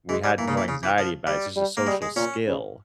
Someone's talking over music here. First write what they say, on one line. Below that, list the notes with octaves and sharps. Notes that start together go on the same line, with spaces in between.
We had no anxiety about it, it's just a social skill.
E3 G#3
G3
E3 A#3
C#3
E3
C#3
E3
F3
G3
G3
A#3
G3 G#3
G#3
A#2 C#4
C#3